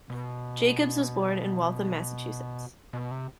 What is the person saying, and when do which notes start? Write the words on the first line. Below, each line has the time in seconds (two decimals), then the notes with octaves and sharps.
Jacobs was born in Waltham, Massachusetts.
0.10 B2
2.93 B2
3.11 C3